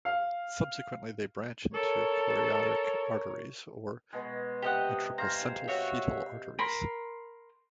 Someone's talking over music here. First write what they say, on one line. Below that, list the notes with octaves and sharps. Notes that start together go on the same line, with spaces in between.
Subsequently, they branch into chorionic arteries or "intraplacental fetal arteries".
F5
A4 A#4 C#5
B2 G#3
C3 G4 D#5 F#5
C5 F5 G#5 A#5
F#4 C#5 E5
A#4 B5 C6